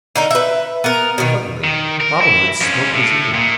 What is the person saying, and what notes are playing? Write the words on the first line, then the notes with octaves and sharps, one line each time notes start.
Suddenly Robin Hood smote his knee.
D3 D#4 A#4
B4 E5
B3 A#4
B2 D#3
D#3
A#4
E4
F2 C#4
A2
A#2